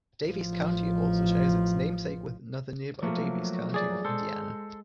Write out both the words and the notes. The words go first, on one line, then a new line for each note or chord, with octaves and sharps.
Daviess County also shares its namesake with another nearby Daviess County of Indiana.
A1 F3
F3 F#3 A3 A#3
G#4 D5
G#3 A4 C5